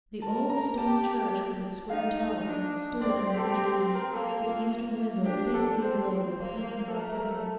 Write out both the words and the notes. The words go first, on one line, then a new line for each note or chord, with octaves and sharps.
The old stone church with its square tower stood amid trees, its eastern window faintly aglow with crimson and purple.
A#4 A5
A#5
G4 A5
D#4 F5
D4
C4 D5
G4
A4
G4
G4
A#4
A#3 A4
F4
A#3
D4 G4
A4
C4 C5
A#3
A4
A3 A#4
A#4
A4